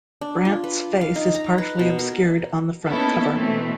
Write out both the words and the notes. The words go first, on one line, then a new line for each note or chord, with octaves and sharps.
Brant's face is partially obscured on the front cover.
D4
F4
B4
F5
D#4
A#5
B4
B2
A#4
A#3 B3 C#4 D#4 E4 A4
B2 E3 A3 C4